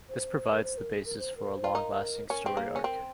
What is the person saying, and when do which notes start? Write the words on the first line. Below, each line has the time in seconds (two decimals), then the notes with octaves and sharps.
This provides the basis for a long-lasting story arc.
0.09 C5
0.52 A#4
0.64 C5
0.78 A#4
0.91 G#4
1.06 A#4
1.19 C5
1.37 A#4
1.56 C5
1.64 F4
1.74 D#4 A#4
2.29 C#4 A#4
2.46 C4 G#4
2.57 A#3
2.66 G#4
2.76 C#4
2.84 C4 A#4